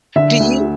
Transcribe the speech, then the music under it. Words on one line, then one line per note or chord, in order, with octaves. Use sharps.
Do you
D3 E5
D2